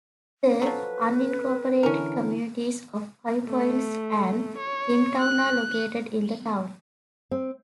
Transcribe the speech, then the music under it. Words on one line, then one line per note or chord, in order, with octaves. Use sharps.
The unincorporated communities of Five Points and Jimtown are located in the town.
F3 F#3 A4 B4
D3 E3 C#4 A#4
A3
C#5
F#6
C4